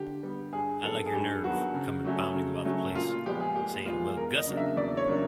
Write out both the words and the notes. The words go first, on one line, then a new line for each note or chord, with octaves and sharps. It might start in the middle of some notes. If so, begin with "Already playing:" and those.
I like your nerve, coming bounding about the place, saying 'Well, Gussie.'
Already playing: D3 G4
G3 B3
G2 G#4
D#3 F#3 B3 A4
G#4
G2 G4
D#3 F#3 B3 F#4
C#3
F#3 A3 C#4
C#3
F#3 A3 C#4
A#2 F4
F4
F3 G#3 B3 G4
G#4
A#2 G4
F3 G#3 B3 F4
E2 A#4
D#5
C#3 F#3 A#3 D4
E5
E2 D5
C#5
C#3 F#3 A#3 D4